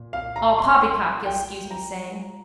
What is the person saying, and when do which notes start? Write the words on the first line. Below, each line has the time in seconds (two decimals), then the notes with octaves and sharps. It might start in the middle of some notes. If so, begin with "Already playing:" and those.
All poppycock, you'll scuse me saying.
Already playing: A#2
0.13 F5
0.36 A#5
0.58 C6
0.81 C6
1.26 G5
1.71 A#5